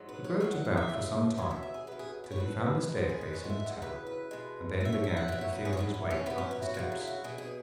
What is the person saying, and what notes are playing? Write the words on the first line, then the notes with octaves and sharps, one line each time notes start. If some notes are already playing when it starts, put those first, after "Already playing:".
He groped about for some time, till he found the staircase in the tower, and then began to feel his way up the steps.
Already playing: G#2 F#3
B4
C#5
E2 B2 F#3 C#5
F#5
F#5
E5
F#2 C#3 E3
B2 F#3 C#5
E5
E5
G#4
F#2 F#3 B4
G#4
B4
C#5
B2 F#3 B4
B2 G#3
F#4
G#4
B4
G#2 G#3 C#5
F#5
E5
F#5
F#2 C#3 E3 B4
B4
B2 G#3
B2 F#3 E5
C#5
E5
F#5
F#2 F#3 E5
C#5
B4
G#4
C#5
E2 B2 F#3 B4
E4
C#4
F#2 F#3 B3
C#4
E4
F#4
F#2 C#3 F#3 F#4
E4
F#4
B2 F#3 G#4
G#4